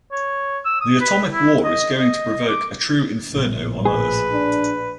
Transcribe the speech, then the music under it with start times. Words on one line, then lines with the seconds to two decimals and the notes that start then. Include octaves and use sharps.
The atomic war is going to provoke a true inferno on Earth.
0.12 C#5
0.65 E6
0.81 D#6
1.01 B4
1.32 E4
1.64 D#5
1.98 D#5
2.48 D6
3.28 A#1 A2
3.86 G#4 B4
4.32 D4